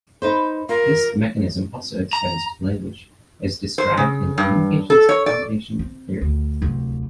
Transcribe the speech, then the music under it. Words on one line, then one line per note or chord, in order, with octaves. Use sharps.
This mechanism also extends to language, as described in the Communication Accommodation Theory.
D#4 B4 C5
F4 A#4
A#5
C5
C#3
G2
A4
C#5
D5
C4
D2
D1 C2